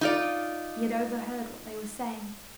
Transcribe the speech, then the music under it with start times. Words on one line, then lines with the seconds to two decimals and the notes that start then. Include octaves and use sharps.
He had overheard what they were saying.
0.01 D#4 F4 D5